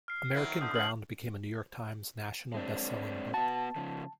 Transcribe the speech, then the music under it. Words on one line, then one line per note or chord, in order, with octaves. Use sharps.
"American Ground" became a "New York Times" national bestselling book.
F6 C7
D#3 F#3 E4
D3 D#6 G6
A#2 C#3 F6 F#7
G#3 C4 D4
B3 F#4 A5
C#3 F3